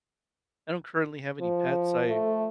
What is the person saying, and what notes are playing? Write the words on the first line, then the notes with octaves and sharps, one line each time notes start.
I don't currently have any pets. I
F3
A3